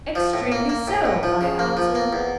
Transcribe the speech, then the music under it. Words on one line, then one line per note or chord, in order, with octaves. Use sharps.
'Extremely so,' I answered.
F3
A2
A#3
A#3
A2
A2
F3
C#3
A#3
F3
A#3
E2